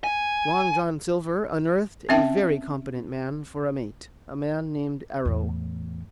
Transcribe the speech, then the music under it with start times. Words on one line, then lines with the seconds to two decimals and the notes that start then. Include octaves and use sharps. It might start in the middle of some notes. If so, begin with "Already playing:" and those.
Long John Silver unearthed a very competent man for a mate, a man named Arrow.
0.04 G#5
2.09 C4 C#4 E5 G5 A5
5.25 E2 A2